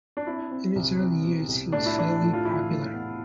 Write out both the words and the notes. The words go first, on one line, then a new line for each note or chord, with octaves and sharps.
In his early years he was fairly popular.
D4
C4 E4
C4
C2
C4
B2
C2
A2 D4
E4
E3 D4
A2
F4
E3 E4
A2
B3